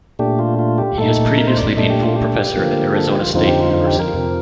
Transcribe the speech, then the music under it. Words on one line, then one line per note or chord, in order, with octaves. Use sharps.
He has previously been full professor at Arizona State University.
A#2 A3 D4 G4
F4
F4
G4
A#2 A3 D#4 A4
A#4
C5
D5
A#2 A3 D4 D#5
G4
F4
G4
D3 F3 A#3
A4
G4
F4
F2 D3 F3 C4 D#4 F4
G4
F4
F4
G4
A#4
F2 C3 F3